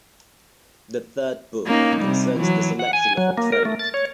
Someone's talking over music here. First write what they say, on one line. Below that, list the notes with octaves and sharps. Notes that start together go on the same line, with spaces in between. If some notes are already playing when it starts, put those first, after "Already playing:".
The third book concerns the selection of a trade.
A#3 C#4 D#4
C3 G3
E3 F#3
F#5
G#5
F#3
A#3
A#4
A3
A6
C#5